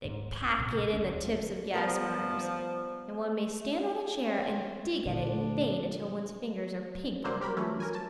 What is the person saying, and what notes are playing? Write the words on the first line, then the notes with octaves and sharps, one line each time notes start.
They pack it in the tips of gas-burners; and one may stand on a chair and dig at it in vain until one's fingers are pink and bruised.
D1 G#2
B1 A#2 C#3
E1 D2 C#4
F3 G3 B3 A#4
C4 C#4
D2 A#2 D3 D4
C2 D3 F#3 A#3 C5
G4 A#4 B5
E3 A3 C#4
A#4 G#5
A5